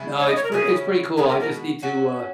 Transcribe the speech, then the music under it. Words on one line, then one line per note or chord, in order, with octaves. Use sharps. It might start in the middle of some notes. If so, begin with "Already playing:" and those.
No, it's p it's pretty cool, I just need to, uh,
Already playing: C#3 G#3 B3 E4
C#5
D#5
C#5
A#4
C#3 F#3 C#4 E4 G#4
B2 G#3 B3 F#4 G#4
A#4
A#4
F#3 C#4 F#4